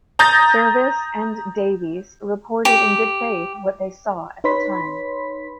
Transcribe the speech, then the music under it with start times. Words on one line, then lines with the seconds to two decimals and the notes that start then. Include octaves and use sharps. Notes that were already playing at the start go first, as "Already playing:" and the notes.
Service and Davies reported in good faith what they saw at the time.
0.19 A#5 D#6 G6 A6 A#6
2.65 G4
4.44 D#4 B4 C#5 B5 C6 B6